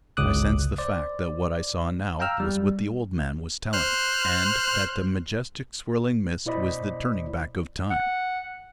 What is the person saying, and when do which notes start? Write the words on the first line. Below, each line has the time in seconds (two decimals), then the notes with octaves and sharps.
I sensed the fact that what I saw now was what the old man was telling, and that the majestic, swirling mist was the turning back of time.
0.17 G1 C#2 D6 D#6 F#6
0.78 C5 D5
2.19 F5 G5 A#5 E6 F6
2.40 G3
3.73 C5 F6 F#6
6.46 B2 E4 C5 D5 D#5 B5
7.91 F#5